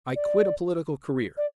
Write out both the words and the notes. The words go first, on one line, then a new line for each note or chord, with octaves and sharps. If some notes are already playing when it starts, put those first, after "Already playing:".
I quit a political career.
D5
D5